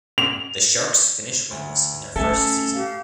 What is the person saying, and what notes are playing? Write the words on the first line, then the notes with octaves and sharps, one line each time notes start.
The Sharks finished winless in their first season.
F7
D2
A3 C#4 A4 E5 G#5
G4 F5